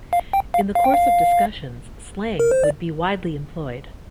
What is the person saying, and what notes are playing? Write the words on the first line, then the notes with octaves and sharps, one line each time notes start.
In the course of discussions, slang would be widely employed.
F5
G5
F5
F5
G5
F5
A#4
C5
D5